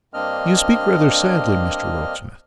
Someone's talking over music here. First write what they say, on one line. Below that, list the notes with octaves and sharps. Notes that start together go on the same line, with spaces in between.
You speak rather sadly, Mr Rokesmith.'
G2 A#3 C4 D4 D#5 F6